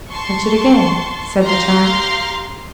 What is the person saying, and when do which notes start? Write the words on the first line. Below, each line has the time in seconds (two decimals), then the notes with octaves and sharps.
"Touch it again," said the child.
0.10 A5 C6 C#6
1.44 G4 F5 A#5 C6 F6